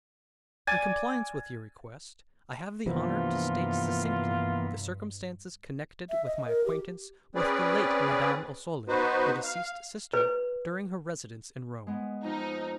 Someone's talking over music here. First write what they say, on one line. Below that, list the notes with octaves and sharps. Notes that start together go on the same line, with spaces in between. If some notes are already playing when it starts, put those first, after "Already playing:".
In compliance with your request, I have the honor to state, succinctly, the circumstances connected with my acquaintance with the late Madame Ossoli, your deceased sister, during her residence in Rome.
D5 G#5 D6 G#6 A6 D#7
G2 C3 E3 F3 A#3 B3 F4
E5
D#5
A#4
G4
C4 C#4 G#4 B4 D5
B3 D#4 F#4 B4 C5
F5
B4
G#3 B3
F2 D#4